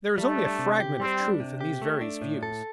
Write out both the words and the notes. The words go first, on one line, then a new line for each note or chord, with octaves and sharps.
There is only a fragment of truth in these various views.
G3 A3
D4
C3
G4
G3 C4
D4
C3
G4
A3
D4
A2
A4